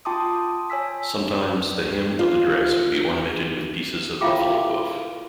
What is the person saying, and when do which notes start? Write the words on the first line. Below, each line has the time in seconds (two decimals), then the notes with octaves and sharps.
Sometimes the hem of the dress would be ornamented with pieces of buffalo hoof.
0.05 F4 G5 A5 C6 D6 D#6
0.70 C#5 G#5 E6 B6
2.19 F4
4.21 E4 F4 E5 F5 G5 D6